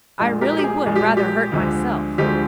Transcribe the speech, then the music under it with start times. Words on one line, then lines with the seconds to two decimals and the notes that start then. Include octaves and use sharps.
I really would rather hurt myself.
0.19 A#1 A#2 G#3
0.41 G4 A#4
0.59 G4
0.64 G#4
0.86 A#1 A#2 G#3 G#4
0.96 G4
1.17 G4
1.52 D2 D3 F3 G#3
2.18 D2 D3 F3 G#3 G4